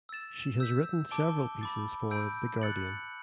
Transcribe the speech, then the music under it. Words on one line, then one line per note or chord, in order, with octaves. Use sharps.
She has written several pieces for "The Guardian".
E6 A6 E7
E6 G6 B6
A5 D6 A6 D7 G7
B5 D6 A6
B5 E6 G6 D7
F#6 A6 C#7 F#7